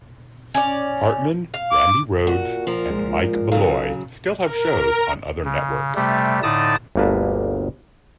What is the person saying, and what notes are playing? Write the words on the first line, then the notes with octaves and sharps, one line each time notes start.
Hartmann, Randi Rhodes, and Mike Malloy still have shows on other networks.
C#4 D5
F5
D6
A#2 F#4
F3 A#4
G#3
C#3 F#3 A4 F5
A#4
C#3
C3 G3 A3
A2 D3 D#4 D5 A5 D#6
G1 D2 A#3 B4 A5